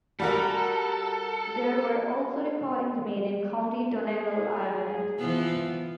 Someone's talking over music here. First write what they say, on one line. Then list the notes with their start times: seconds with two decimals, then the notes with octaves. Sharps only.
There were also recordings made in County Donegal, Ireland.
0.20 G3 F#4 A4 A#4
4.02 G#4
5.18 E3 F3 B3